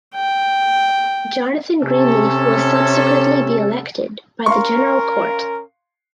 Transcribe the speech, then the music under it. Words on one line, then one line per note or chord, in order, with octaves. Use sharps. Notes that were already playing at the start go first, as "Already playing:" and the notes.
Jonathan Greenleaf was subsequently be elected by the General Court.
G5
C3 C#4 A4
C#4 A#4 F5 C6 C#6